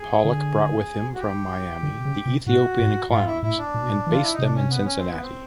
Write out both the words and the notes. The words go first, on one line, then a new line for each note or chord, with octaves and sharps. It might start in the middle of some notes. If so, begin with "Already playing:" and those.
Pollock brought with him from Miami the Ethiopian Clowns and based them in Cincinnati.
Already playing: G#4
D3
F#4
G4
D3
C#3
C3
A2 F#4
G#2
G#2 F4
E4
A2 E4
D4
A#2
B2
A#2
E3
F4
E4
D#4
C3 D4
C#4
B3
C#4
C4
B3
C4